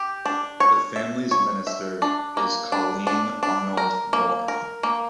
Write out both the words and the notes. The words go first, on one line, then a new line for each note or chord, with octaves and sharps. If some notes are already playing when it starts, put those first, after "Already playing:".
The families minister is Colleen Arnold-Moore.
Already playing: G4
D4
C#5
E5
C#5
E5
D4
A#3
D4
D4
D4
A#4
A#3
A#4
A#3